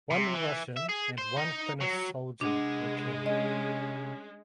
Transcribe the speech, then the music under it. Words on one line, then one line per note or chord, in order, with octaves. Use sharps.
One Russian and one Finnish soldier were killed.
C3
E3
E5
G#4
C5
D#4
F#3
C3 G#3 D4 F#5
C#4 D#5